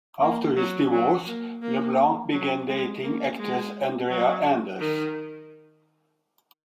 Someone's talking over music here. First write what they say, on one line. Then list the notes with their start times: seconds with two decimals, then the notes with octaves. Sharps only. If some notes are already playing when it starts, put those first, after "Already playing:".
After his divorce, LeBlanc began dating actress Andrea Anders.
0.21 A#3
0.56 F#3
0.92 F#3
1.27 A#3
1.62 A#3
2.32 F#3
2.68 G#3
3.03 A#3
3.38 G#3
4.09 F#3
4.79 D#3